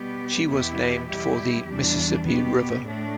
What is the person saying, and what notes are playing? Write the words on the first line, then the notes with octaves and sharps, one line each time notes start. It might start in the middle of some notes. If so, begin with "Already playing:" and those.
She was named for the Mississippi River.
Already playing: B2 G3 B3 G4
E2 B2 B3 E4 G4
E2 B2 G3 E4 G4
E2 E3 G3 D4
B2 B3 G4
A2 A3 D4